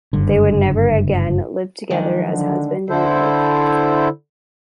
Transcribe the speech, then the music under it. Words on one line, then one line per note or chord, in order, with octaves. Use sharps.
They would never again live together as husband and wife.
F#1 G2 D3
D#3 F3 F#3 G#3 D4
D3
D3 E4 A4 C5